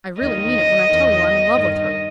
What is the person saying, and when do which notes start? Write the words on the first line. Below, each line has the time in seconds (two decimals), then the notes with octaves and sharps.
"I really mean it when I tell you I'm in love with her."
0.22 D#2 D#3 D#5
0.89 E2 D#3
1.55 G2 D#3 D#5